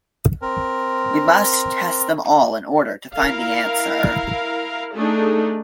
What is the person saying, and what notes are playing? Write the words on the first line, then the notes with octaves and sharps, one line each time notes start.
We must test them all in order to find the answer.
C4 A#4
E4 A#4 F5
A3 D4 D#4 G#4 A4